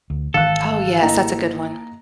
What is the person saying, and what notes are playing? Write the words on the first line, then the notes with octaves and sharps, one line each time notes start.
Oh, yes, that's a good one.
D2
G#1 D#3 E3 A4 F5 F#6
A#3 E4 D#5 A#5